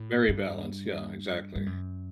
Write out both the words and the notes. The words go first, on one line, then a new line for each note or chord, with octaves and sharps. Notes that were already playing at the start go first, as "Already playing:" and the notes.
very balanced. Yeah, exactly.
Already playing: A2
G2
G2
F#2